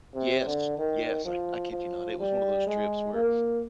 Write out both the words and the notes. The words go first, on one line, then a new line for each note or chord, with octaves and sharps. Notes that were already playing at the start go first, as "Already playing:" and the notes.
Yes. Yes. I I kid you not. It was one of those trips where
C3
D3
D#3
F3
F3
G3
G#3
A#3